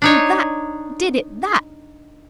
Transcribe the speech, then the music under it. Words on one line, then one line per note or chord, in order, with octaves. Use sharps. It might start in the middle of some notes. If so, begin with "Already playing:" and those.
And THAT did it--that!
D4 D#4 C#5